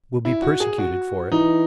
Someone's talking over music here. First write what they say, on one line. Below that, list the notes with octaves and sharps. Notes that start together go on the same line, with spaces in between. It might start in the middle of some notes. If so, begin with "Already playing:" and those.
We'll be persecuted for it.
E4
F#4
G#4
F#4
E3 D#4